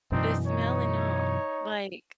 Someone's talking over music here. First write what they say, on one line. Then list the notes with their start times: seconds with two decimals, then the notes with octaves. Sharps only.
The smell and all, like
0.12 F#2 B2 E3 C4 D4 D#4
0.46 D#4 C#5